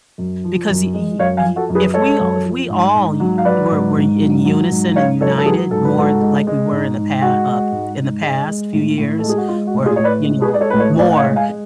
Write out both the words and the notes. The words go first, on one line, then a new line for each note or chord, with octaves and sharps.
because y y y if we if we all y were were in unison and united more like we were in the pa up, in the past few years or, you know, more,
F#2
F3
F#2
G#3
F#2 C#5 F5
F5 G#5
F3
F#4 A4
F#2
G#4 B4
G#3 A4 C#5
F#2
F3
G#2
G#2
F#3
F5
F#3 B4 D5
G#2
G#2
F#3
F#3
G#2
G#2 C#5 F5
F#3 A4 C#5
A4
F#3 G#4 B4
G#2 A4
B4
G#2 F#4 A4
G#3
G#3
G#2
G#2
G#3 F#4
G#3
G#2
G#2
G#3
G#3
A2
A2
G#3 A4
G#4
F#4
G#3 F4
F#4
A2
F4 G#4
A2 C#5
B4 D5
G#3
G#4 B4
G#3
D5
A4 C#5
A2 B4
A4 C#5
A2 B4 D5
F#5
C#5 F5
G#3
F5 G#5
G#3